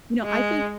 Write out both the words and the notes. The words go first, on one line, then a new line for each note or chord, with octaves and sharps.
you know, I think
G#3